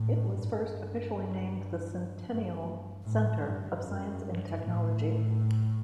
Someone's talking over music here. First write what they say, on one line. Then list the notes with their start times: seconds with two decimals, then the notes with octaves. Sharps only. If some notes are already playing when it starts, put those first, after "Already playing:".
It was first officially named the "Centennial Centre of Science and Technology".
Already playing: A2
0.30 G2
2.26 G2
3.04 A2
3.43 G2
3.82 F#2
4.21 G2
4.61 A2